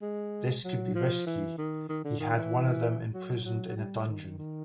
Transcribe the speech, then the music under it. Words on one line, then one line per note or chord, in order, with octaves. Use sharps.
This could be risky; he had one of them imprisoned in a dungeon.
G#3
F#3
F3
E3
D#3
D#3
D3
D#3
E3
F#3
F#3
F#3
G3
D#3
D#3